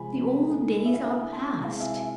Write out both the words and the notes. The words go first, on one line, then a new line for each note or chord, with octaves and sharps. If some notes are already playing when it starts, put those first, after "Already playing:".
The old days are passed.
Already playing: C3 F3 G#3 C4 G#5 B5
D3 A3 E4
E5
F5
D3 A3 E4 E5 G#5
A5 C6
C3 G#3 C4 E4 F5 A5
E5 G#5
E5 G#5